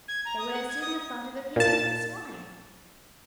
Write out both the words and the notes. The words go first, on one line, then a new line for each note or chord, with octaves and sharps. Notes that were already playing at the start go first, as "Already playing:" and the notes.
They would as soon have thought of appealing to the swine.
G#6
A#5
D#6
F#5
G#6
D#6
A#2 A5